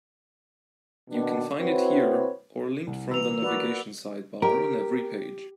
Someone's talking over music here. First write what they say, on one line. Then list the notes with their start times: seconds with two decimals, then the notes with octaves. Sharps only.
You can find it here, or linked from the navigation sidebar on every page.
1.10 B2 D#3 D4
1.58 C4 E4 F#4 B4 C#5
2.87 C2
3.11 E3 A#5 E6 F7
3.42 A#3 F#4 B4 D5
4.42 G4 A#4